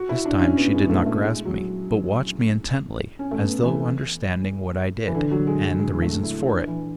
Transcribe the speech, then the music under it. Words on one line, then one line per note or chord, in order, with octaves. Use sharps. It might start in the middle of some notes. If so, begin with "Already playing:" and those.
This time she did not grasp me, but watched me intently, as though understanding what I did, and the reasons for it.
Already playing: F#4
E4
D4
C#4
B3
G#3
B3
A3
A3
G#3
F#3
C#4
A3
B3
E3
E3
D3
F#3
G#3
G#3
G#3
A3
E4
D4
E3